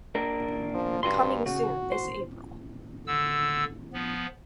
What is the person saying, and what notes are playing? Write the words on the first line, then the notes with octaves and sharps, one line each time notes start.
Coming soon this April.
A#3 D4 A#4
F3
G2 F#4 C6
C#3 F#4
C5
D3 E6
F3 B3